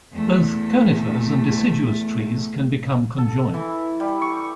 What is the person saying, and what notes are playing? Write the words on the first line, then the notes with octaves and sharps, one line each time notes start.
Both conifers and deciduous trees can become conjoined.
E2 A3
A4
E3
G3
C#6